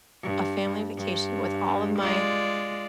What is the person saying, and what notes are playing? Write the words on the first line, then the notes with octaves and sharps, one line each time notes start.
a family vacation with all of my
G2
G2
G#3 F4 D5